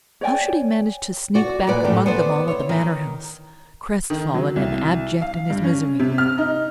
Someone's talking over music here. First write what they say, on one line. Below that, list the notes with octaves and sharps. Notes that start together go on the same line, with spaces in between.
How should he manage to sneak back among them all at the Manor House, crestfallen and abject in his misery?
C#5 D5 G5 G#5
F#4 D5
A#2 G#3 B4 D5 F#5
F#2 A2 G4
B3 C5 D5
E4 C#5
D#3
D#3
F#3
C2
F5
G2
C#4
C3
F6
D#4